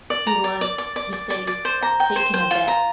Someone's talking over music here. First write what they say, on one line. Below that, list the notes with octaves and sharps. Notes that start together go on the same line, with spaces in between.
He was, he says, "taken aback."
D5
A#5
D5
D5
D5
D5
D5
D5
D5
C5
A#5
G5
C5
C5
F4
A#5